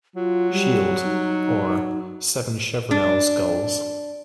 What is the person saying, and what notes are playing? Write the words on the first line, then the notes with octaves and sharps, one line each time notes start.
Shield: "Or, seven chevronels gules".
F#3 F4
G3
D#4
D4